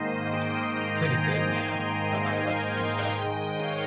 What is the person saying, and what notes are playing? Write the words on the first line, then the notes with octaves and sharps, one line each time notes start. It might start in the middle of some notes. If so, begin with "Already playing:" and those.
Pretty good, ma'am; but I like Sue better.
Already playing: G#2 D#3 A#3 C5 D#5
D#5 G5
G5 A#5
G#5 C6
C5 D#5
D#5 G5
F5 G#5
G5 A#5
G#2 D#3 G#3 D#5 G5
C#5 F5